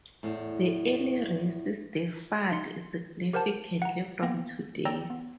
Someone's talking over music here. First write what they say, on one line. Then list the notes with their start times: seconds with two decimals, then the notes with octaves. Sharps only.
The early races differed significantly from today's.
0.23 E2 A2
2.52 D#4 C6 C#7
3.33 G4 A#4 C5 F#5 A5
3.82 F#5 A#5
4.23 A#3 B3 G5 A#6
4.85 C#5 D5 G5 A#5 E6 A#6
5.10 B3